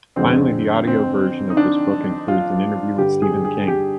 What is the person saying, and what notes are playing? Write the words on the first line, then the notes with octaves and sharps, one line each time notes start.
Finally, the audio version of this book includes an interview with Stephen King.
F2 D3 G#3 C4
C4
D#4
D4
F4
G2 D3 G3 G4
G#4
G#4
G4